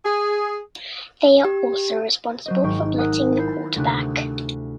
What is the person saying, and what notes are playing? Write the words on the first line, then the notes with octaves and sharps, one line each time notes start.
They are also responsible for blitzing the quarterback.
G#4
G4
F#3 C5 D#5
G#1 G#2 G5 C#6
A#4 F#5 G#5 D#6 E6 F#6
E4 C5 B5 G6 C7
D2 C3 D4 G#5 F#6